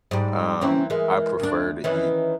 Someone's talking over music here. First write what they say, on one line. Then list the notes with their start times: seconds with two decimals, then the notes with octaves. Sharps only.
Um, I prefer to eat
0.11 G#2 G3
0.61 E3 A#3 C4 C#4
0.90 E3 G#3 A#4
1.40 D2 D4
1.84 D#3 E3 C#4 B4